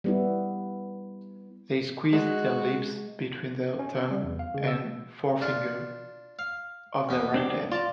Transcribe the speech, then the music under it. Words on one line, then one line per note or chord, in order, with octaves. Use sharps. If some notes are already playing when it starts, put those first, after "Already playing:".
They squeezed their lips between their thumb and forefinger of their right hand.
G3 B3 E4
G#3 F#4
C#4
E6
G3
E2
F5
C#3
E6
D4 F4
F5
E2 B3
C4 D4 G4
F4 D5 A5 A#5